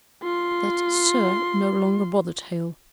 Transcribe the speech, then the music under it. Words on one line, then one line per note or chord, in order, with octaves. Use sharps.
That "sir" no longer bothered Hale.
F4 C6